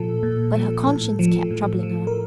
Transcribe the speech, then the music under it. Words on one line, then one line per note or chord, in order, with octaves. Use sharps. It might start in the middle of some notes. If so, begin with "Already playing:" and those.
But her conscience kept troubling her.
Already playing: A#2 F3 A4
A#2
F3
A2 A4
F3
A2
F3
A#4